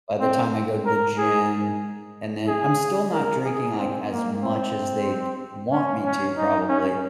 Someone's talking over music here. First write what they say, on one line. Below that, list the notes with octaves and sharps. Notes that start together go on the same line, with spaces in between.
by the time I go to the gym, and then" I'm still not drinking, like, as much as they'd want me to, probably,
C4
A#4
G#4
G#4
A#4
G#4
C4
A#3
C4
C#4
C#4
D#4
C#4